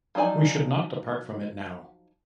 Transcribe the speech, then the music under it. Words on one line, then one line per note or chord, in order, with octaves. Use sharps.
We should not depart from it now.
F3 F#3 D#4 D5 G#5